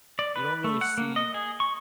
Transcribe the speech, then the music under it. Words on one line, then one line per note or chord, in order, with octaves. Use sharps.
you don't really see
D5
B4
A3
F#5
A#3
D#5
G#4
C#6